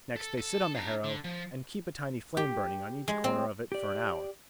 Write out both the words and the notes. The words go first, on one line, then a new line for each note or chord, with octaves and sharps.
Next they sit on the harrow and keep a tiny flame burning on each corner of it for an hour.
A4
A4
D4 A#5
D3
F3
G4
G#3
C4
G4 D5